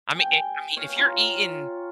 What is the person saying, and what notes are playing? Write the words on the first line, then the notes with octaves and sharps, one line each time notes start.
I mean, eh I mean, if you're eating
G5 G#5
C#5 F5
F4 A#5